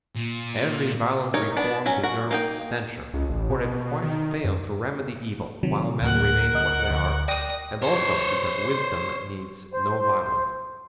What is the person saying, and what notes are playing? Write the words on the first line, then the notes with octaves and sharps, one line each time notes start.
Every violent reform deserves censure, for it quite fails to remedy evil while men remain what they are, and also because wisdom needs no violence.
A#2
D#4 A#4 C#5
B3 D4
F#3 C#4 F#4
F#4 A#4
A#3 D#4 G5
C#2
A1
B2
D#3
F#2
C3 D#3 F#3
D2 A2 A#3 A#4 F#5
D2 D#5 F#6
D2
D5 G5 D#6 A#6
C5 C#5
C5